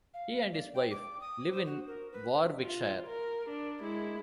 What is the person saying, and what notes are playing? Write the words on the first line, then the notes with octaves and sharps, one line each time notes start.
He and his wife live in Warwickshire.
F5
D5
G5
D6
D#6
C5
F#4
A#4
B4
F4
A#4
D4
G#3 E4